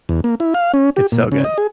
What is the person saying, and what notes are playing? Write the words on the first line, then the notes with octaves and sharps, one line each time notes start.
It's so good.
E2
A#3
E4
F5
C#4
G4
A#2
C#3
D#5
G#4